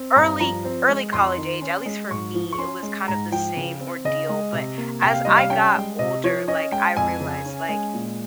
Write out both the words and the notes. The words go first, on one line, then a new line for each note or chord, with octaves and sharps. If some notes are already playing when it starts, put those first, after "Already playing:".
early early college age, at least for me, it was kind of the same ordeal, but as I got older, like, I realized, like,
Already playing: C4
G2 A#5
F3 A#5
C4
G#3
F2 C6
D#3
C#4
G#3
G#2 C#6
F3
C#6
C#4 C6
G#3
G#2 A#5
F3 G5
C#3
C4
C#3 D#5
G#3
C3
A#3
C3 G5
F5
G3 D#5
F5
C#4 G5
G#3
C3 D#5
F3 C#5
C#4 D#5
G#3 G5
F2 G#5
C#3
C#4
G#3
A#2